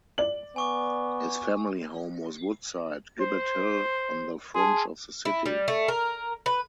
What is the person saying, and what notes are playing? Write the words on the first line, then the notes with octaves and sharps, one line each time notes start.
His family home was Woodside, Gibbet Hill, on the fringe of the city.
D5 F#7
B3 G#5 C#6 D6
C5
G#4 A5 C6
E4
G3
A3
A#4
B4